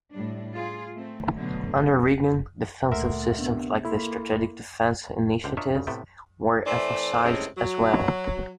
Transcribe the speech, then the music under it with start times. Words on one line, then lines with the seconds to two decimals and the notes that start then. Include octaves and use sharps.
Under Reagan, defensive systems like the Strategic Defense Initiative were emphasized as well.
0.12 A2 G3 D4
0.55 F4 G#4
0.94 A3 C4
1.34 B2 D3 F#3 A3
2.92 D2 A#2 A#4 E5 F#5 C6
3.38 C3 B3 D4
3.85 A#3 E4 A4 B5 C6
5.44 C#2 D3 C5 G5
5.57 D4 F4 A#4 C#5 D#5 E5
5.75 D2 C#3
5.87 A2 C3 A3 B3 E5 G5
6.66 E3 A3 C4 D5
7.24 A2 C3 G#3 C#4
7.57 F#3